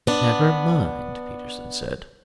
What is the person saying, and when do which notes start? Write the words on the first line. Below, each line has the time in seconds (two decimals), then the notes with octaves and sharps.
"Never mind," Peterson said.
0.07 B3 D4